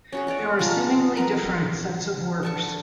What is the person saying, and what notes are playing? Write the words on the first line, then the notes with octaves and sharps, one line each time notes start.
There are seemingly different sets of works.
C#4 F#4 G#4
B2 F#4 C#5 D5
F4 G#4 A5 A#5
A#4 B4
D3 A5 C#6